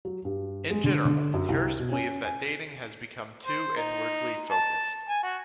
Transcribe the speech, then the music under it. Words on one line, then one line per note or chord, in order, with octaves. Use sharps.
In general, Harris believes that dating has become too inwardly focused.
F#3
G2
G#3
D3
D3
F#2
C2
B2
C#4
G#5
C5
D#4
A5
G#5
F#4